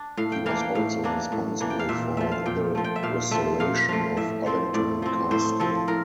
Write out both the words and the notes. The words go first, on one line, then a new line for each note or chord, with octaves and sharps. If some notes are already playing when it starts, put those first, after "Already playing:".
He was also responsible for the restoration of Allington Castle.
Already playing: D4
A2 F5
G5
E3 A#3 D4 F5
G5
A2 F5
E3 A#3 D4
A2
E3 A#3 D4
G5
F5
A#2 E5
F3 A3 E5
F5
A#2 G5
F3 A3
G5
E5
A#2 F5
F3 A3 E5
A#2 F5
F3 A3 F5
A2 E5
F3 C4
A2 D5
F3 C4
A2 C5
F3 C4 A4
A2 A#4